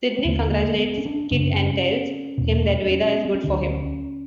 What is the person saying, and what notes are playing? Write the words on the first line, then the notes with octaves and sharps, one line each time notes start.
Sydney congratulates Kid and tells him that Veda is good for him.
A#3
D#2 D3 A3
A#3
B3
C#4
D4
F#2 C#3 D4
C4
C#4
E2 B2
D4
C#4
B3
C4
C#4
D2 D3 D4
C#4